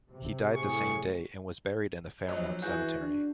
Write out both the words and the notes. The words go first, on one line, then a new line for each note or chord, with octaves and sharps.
He died the same day and was buried in the Fairmount Cemetery.
C3
A2 G#4 C#6
A#1 F#3 D#5
E3 F#4 G#4 G6
D4